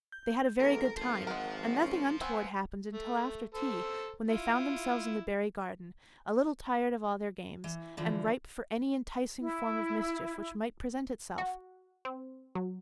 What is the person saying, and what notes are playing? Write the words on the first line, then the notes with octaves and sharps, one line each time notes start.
They had a very good time and nothing untoward happened until after tea, when they found themselves in the Barry garden, a little tired of all their games and ripe for any enticing form of mischief which might present itself.
G6
E2 A4 A#4
G#1 A4 C5 F5
G#3 A#4 F#5
C#4
B3 C4 G#5
A3
A4 C5
E4 F4
E3
D3 E3 F3
E4
F#4
C4
F#3